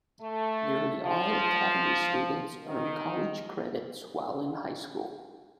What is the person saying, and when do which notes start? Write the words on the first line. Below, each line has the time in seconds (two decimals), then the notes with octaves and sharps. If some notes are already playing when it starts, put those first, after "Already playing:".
Nearly all Academy students earn college credits while in high school.
0.22 A3
1.02 F3
2.65 D#3